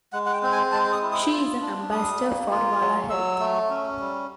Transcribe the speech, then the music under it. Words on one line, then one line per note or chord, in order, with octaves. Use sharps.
She is an ambassador for Vala Health.
G#3 F#5
F#5
G5
C4
G#5
G#3 A5
D#6
E4
D#6
F4
D4
G3 D#6
A#3
F4
F#3
F#3 E6
A3
C#4
G3